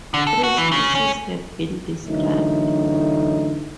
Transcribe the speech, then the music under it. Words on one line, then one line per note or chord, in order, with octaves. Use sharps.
Three species have been described.
D3
A4
F#4
E3
C#3
C#4
F#2 D3 E3 A3 D#4